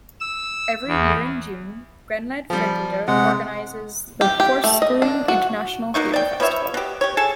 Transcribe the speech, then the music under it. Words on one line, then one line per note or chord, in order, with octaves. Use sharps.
Every year in June, Grenland Friteater organises the Porsgrunn International Theatre Festival.
E6
E2
F3 G3
C3 G#3 F#5
G4
G4
A3
D#5
D4
F#4
B2 A#3 D#4 C#6
D5 G5
F3 B4 C#5 E5
B2 G4
G4 C#5
G#4 A4 A5